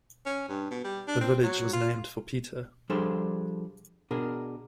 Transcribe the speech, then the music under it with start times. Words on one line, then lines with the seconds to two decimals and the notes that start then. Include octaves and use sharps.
The village was named for Peter.
0.26 C#4
0.49 G2
0.71 B2
0.84 G3
1.08 D4
1.21 C4
1.43 F#3
1.73 F4
2.90 F3 G3 D4 G#4 A4 C5
4.11 B2 D4 G#4 A#4